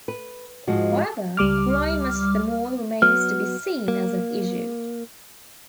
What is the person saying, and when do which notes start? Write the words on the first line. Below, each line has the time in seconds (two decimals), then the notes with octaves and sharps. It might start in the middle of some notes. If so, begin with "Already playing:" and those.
However, crime at the mall remains to be seen as an issue.
0.08 B4
0.67 G#2 F3 G#3 F#4
1.37 C#2 G3 D6 F6
3.02 F#3 B3 F6
3.88 A#3